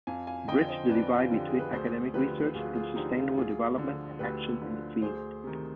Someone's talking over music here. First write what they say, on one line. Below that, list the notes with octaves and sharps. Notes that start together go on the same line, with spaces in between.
Bridge the divide between academic research in sustainable development and action in the field.
F2 F5 G#5
F5 G#5
D3 F3 D#5 G5
C5 D#5
F2 B4 D5
F4
D3 F3 G4
G#4
B4
D2 G#4 C5
D3 F3 G4 B4
D2 F4 G#4
F4 G#4
D3 F3 D#4 G4
F4 G#4
D2 F4 G#4
D3
F3
D2 G4 B4
D3 F3
D2 G#4 C5
C3 D#3